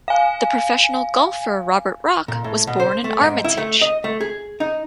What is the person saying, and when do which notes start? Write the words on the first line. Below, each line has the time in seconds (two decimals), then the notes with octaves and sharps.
The professional golfer Robert Rock was born in Armitage.
0.08 F5 G#5
2.28 A#2
2.44 A2
2.67 B2
2.80 C5
3.04 A3
3.21 G#2
3.44 E4
3.57 A3
3.81 D#5
4.04 A3
4.21 G#4
4.60 D#4